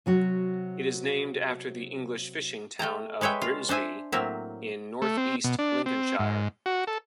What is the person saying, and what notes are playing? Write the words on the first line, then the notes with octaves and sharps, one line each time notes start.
It is named after the English fishing town of Grimsby in North East Lincolnshire.
C3 F#3 F#4
A3 G5 A5 A#5
G#3 B4 C#5 E5 G5
F4
D4 C5 E5 G#5
A2 F#3 A#3 C4 A#4 E5
A3
C4
B2
D4
C4
G#2
F#4
A4